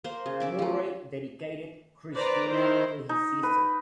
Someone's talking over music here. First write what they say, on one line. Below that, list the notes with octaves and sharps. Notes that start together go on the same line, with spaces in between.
Murray dedicated "Christina" to his sister.
A#3 C5
C#3
C#4 D5 E5
F3 A3
B4 C5 D5 A#5
D#3 E4 C5
D#4
B4